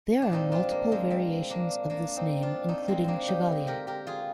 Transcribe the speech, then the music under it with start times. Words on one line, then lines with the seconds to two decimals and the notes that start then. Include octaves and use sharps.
There are multiple variations of this name, including Chevalier.
0.22 D4
0.30 A#2 F3 G#3 C4 D#4
0.52 D4 F4
0.71 A#3
0.92 G#3 C4
1.10 G#3 C4
1.50 A#3 D4
1.90 A#3 D4
2.16 C4 D#4
2.43 D4 F4
2.69 C4 D#4
2.88 G#3 C4
3.04 A#3 C4 D4
3.28 D#4 G4
3.48 D3 G#3
3.67 G4 A#4
3.87 G4 A#4
4.07 F4 G#4